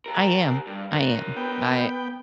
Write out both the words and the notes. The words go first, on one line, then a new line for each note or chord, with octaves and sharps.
I am. I am. I uh,
G4 A#4
G2
A#4 C#5
B3 G5